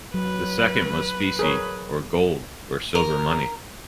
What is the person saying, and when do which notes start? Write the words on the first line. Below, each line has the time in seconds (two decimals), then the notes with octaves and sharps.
The second was specie, or gold or silver money.
0.14 F#3 B4
1.39 G#4 A#4 C#5
2.95 A#4